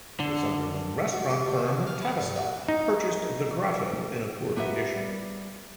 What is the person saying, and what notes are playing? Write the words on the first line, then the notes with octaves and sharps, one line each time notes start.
The Sunderland restaurant firm, Tavistock, purchased The Grotto in a poor condition.
D3
F#4
G4
D2
D#2
F5
B4
G2
F#4
D#4
B3 F#4 G4 A#4 B4 E5
G3